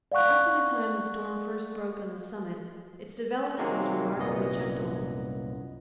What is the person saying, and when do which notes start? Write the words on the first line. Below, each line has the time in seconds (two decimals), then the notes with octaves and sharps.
Up to the time the storm first broke on the summit its development was remarkably gentle.
0.12 D5 F5 F#5 C#6 F#6
3.58 C3 D#3 F#3 G#3 A#3
4.17 C2 F#2 A#2 B3 D#5